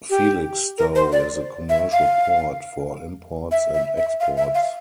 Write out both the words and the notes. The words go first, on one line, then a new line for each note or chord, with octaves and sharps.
Felixstowe is a commercial port for imports and exports.
G4
A#4
C5
D5
E5
F5
E5
E5
E5
F5
E5
F5